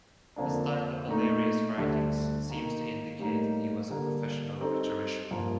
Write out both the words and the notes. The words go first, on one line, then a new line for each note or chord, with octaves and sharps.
The style of Valerius's writings seems to indicate that he was a professional rhetorician.
F2 D3 F3 A#3 D4
A#2 A3 D#4
D2 D3 G3 D4
D#3 A#3 D#4
A2 G3 A#3 D#4
D3 G3 A#3
G3 C4 D#4 A4
G2 F3 A#3 F4